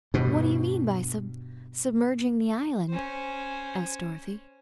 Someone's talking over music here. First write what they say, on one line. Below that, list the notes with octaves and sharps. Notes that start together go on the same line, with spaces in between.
"What do you mean by sub-sub-merging the island?" asked Dorothy.
G2 B2
C#4 C5